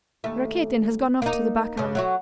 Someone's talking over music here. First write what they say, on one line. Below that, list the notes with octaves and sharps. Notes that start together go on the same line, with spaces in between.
Rakitin has gone off to the back alley.
D#2 A3
A#3 D#4
G2 C#3
F#3 A3 F#4